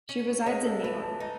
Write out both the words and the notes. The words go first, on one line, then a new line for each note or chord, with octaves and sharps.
She resides in New York.
C#4
B4
G#3 C#5
A4
E3 B4
A5
D#4 A5